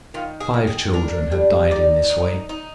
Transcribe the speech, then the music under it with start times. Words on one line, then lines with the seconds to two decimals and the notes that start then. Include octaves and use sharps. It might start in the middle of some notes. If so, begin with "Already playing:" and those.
Five children had died in this way.
0.14 D#3 F4
0.40 G#4
0.54 D#3
0.67 G#4
0.93 D4 A#4
1.32 G3
1.71 D#4 D5
2.10 D#4
2.49 D#4